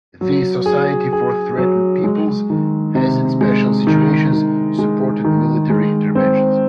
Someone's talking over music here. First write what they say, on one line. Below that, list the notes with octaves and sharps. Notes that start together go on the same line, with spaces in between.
The Society for Threatened Peoples has in special situations supported military interventions.
F#3
G#4
G#4
F#3
G#3
D#3
C3
G#3
D#3
D#3
G#3
D#3
G#3
C4